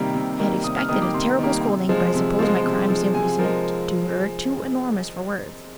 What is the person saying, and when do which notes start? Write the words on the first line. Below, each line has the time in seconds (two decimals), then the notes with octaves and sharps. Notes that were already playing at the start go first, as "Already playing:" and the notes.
I had expected a terrible scolding, but I suppose my crimes simply seemed to her too enormous for words.
Already playing: C3 D#3 G3 A#3
0.14 C3
0.39 D#3 G3 A#3
0.64 C3 D#6
0.77 F6
0.89 D#3 G3 A#3 D#6
1.02 D6
1.14 C3 C6
1.39 D#3 G3 A#3
1.64 C3
1.89 F3 G#3
2.14 C3
2.39 F3 G#3
2.64 C3
2.89 F3 G#3
3.13 C3 G#5
3.39 F3 A#4
3.44 G#3